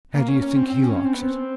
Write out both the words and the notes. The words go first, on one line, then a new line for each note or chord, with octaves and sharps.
How do you think he likes it?'
A#3
C#4
C#4
C4
C4
C#4
C#4
C4
B3
C4